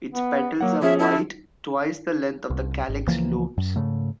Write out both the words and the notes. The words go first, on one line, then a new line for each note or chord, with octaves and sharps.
Its petals are white, twice the length of the calyx lobes.
B3
F#3 A#3 F#5
F3 C#4 G#4 E5
E4 A4
C2
G#1
C#2 E3 F3 A#3
F#2
G#2 C#3 A3